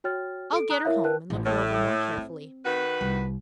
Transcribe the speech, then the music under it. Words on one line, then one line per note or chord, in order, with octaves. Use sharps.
"I'll get her home and look her over more carefully."
F#4 C#5 G5 F6 A6
A4 D7
A#5 D#6 F#6
E4 A#4 C#5 E5 F5
A#4 B4 G5 A5 F#6
A1
A2
C4
D#3 F#4 B4
C2